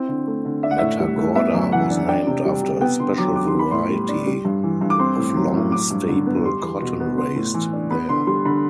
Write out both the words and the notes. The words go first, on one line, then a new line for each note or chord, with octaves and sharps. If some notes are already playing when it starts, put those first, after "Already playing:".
Matagorda was named after a special variety of long-staple cotton raised there.
Already playing: C4 E4
D3
A3
D3
D4 E5
F#5
A2 E5
G3
A2
B3 E5
F#2
E3 F#5
D4
D4 G5
C3
G3
C3
B3 G5
D3 C6
F#3 D6
D3 D6
C6
B3
B5
A2 C6
G3
D4
G3
G2
E3
G2
D6
C4 C6
A2
F#3
A2
F#3 D6
G2
D3
B3
G3 C6
E2
B2
B3
B3 C6
A2
E3
D4
B3 B5
D3 C6
G3 C6
D3 B5